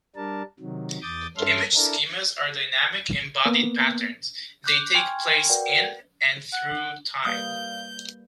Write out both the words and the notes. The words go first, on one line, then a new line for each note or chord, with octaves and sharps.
Image schemas are dynamic embodied patterns-they take place "in" and "through" time.
G3 D4 A#4 A5
C3 D#3 F#3
E2 D6 D#6 G6 A6
G2 C#4 A4 E5 C6 F6
D4 E4 A4 A#4
A#3 B3
D6 F#6 G6
G5 G#5 C6 C#6 F6 G#6
F#4 A#4 B4 D5 F#5 G5
F#5
G3 A#3 B4 F5 D#6 G6